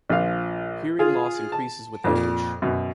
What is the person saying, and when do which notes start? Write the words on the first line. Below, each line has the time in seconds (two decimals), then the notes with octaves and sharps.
Hearing loss increases with age.
0.10 A#1 F3 F5
0.99 F4 G#4
1.52 A5
2.04 F2 A#2
2.62 F#2 B2